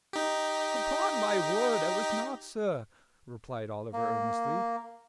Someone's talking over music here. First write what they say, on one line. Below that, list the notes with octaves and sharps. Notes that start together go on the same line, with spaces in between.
'Upon my word I was not, sir,' replied Oliver, earnestly.
D#4 G4
A#3